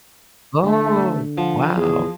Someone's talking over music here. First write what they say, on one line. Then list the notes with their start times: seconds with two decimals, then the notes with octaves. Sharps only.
Oh, wow.
0.65 D3 A3
1.38 F3 F#5
1.76 E2 G#4